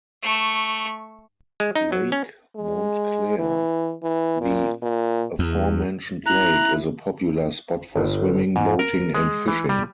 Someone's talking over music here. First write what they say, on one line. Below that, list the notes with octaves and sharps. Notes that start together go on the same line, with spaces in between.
Lake Montclair, the aforementioned lake, is a popular spot for swimming, boating, and fishing.
A3 C#6
G#3
D#4
F#3
C#4
G#3
E3
E3
A#2
A#2
E2
E4 A#5 F#6
G1
G#2
A#4
G#3
E3
G3